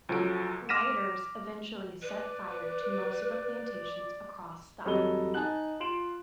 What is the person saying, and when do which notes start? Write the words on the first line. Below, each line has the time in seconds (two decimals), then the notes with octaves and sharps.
Rioters eventually set fire to most of the plantations across the island.
0.09 C#2 F3 F#3 A4 D7
0.69 D6 F6 A#6 B6 D#7 E7
2.02 B4 D5
4.85 F2 F#3 G3 A4 D#5 G7
5.34 D#4 G#5 A5 F#6 F#7
5.80 F4 C6 D7 E7 F#7